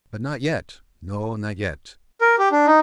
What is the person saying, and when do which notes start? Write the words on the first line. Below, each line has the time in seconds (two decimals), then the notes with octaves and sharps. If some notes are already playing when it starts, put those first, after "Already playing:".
But not yet--no, not yet.
2.21 A#4
2.39 G4
2.52 D4
2.67 D#4